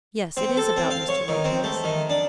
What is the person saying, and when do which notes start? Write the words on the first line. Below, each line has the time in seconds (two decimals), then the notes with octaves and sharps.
Yes; it is about Mr. Lopez.
0.37 C4
0.57 A4
0.76 C4
0.91 F5
1.09 C#5
1.28 D#3
1.44 C4
1.64 A3
1.84 D#3
2.10 D4